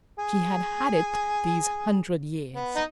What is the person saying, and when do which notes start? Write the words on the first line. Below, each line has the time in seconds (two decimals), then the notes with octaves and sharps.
She had had it these hundred years.
0.19 G#4
2.54 B3
2.76 D#4